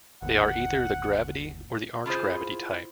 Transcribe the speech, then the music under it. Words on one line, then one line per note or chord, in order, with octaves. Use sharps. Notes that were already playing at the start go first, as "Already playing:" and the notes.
They are either the gravity or the arch-gravity type.
G1 D#2 A#2 F#5
E4 F4 G#4 C5